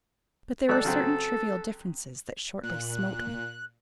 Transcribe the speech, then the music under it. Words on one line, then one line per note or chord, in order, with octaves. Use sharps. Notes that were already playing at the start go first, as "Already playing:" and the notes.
But there were certain trivial differences that shortly smote me.
G#1 A4 D5 F#6
C#3 F#3 C4
A#2 F#6